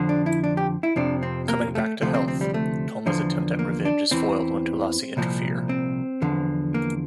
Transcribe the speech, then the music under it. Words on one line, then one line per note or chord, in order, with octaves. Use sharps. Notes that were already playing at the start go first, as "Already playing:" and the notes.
Coming back to health, Thoma's attempt at revenge is foiled when Thulasi interfere.
Already playing: F2 D3 F3
D4
E4
D4
G4
E4
F2 C3 F3 D4
C4
A#3
A3
D2 C3 F3 A3
C4
C4
G3
A3
E2 D3 F3
A#3
D4
E2 E3 C4
C2 A#2 F3
C4
E2 D3 F3
A#3